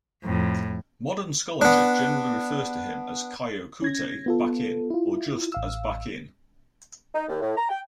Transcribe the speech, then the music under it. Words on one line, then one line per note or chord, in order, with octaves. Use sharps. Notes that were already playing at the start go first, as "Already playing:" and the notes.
Modern scholarship generally refers to him as Kyokutei Bakin, or just as Bakin.
F2 A2
B3 D4
C#4 G#6 A#6
B3 F4 A4
E4 F4
A1 F5 E6
D#4
D#2
A2
A#5
G5